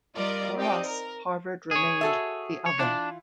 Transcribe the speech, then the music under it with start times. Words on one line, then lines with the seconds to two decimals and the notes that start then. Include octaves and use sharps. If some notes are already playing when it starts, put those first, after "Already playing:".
For us, Harvard remained 'the other.
0.16 G3 F4 A#4 D5 D#5
0.56 C4 D#4 G4 D5 D#5
0.85 A#4
1.71 G#4 C#5
2.01 F#4 A4 E5
2.66 C#5
2.79 E3 D4 E4 F4